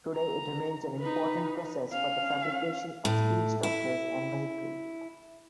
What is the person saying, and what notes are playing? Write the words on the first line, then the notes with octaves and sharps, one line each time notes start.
Today it remains an important process for the fabrication of steel structures and vehicles.
A#5
D#4 B4
C#4 F5
A2
E4